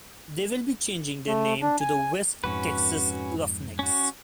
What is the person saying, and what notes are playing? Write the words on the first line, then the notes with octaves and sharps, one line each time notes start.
They will be changing their name to the West Texas Roughnecks.
A3
D4
G#5
F2 G#2 C#4 F#4 B4
C#4 F#4